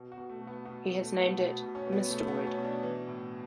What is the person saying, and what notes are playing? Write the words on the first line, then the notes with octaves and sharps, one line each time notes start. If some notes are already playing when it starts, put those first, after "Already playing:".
He has named it Mysteroid.
Already playing: B2
F#4
B2
A3
B2
B3
B2 B3
A3
B2
A3
B2
B3
B2 B3
B2
C#4
B2
B3
B2 A3
B3
B2
C#4
B2
D4
E3
A2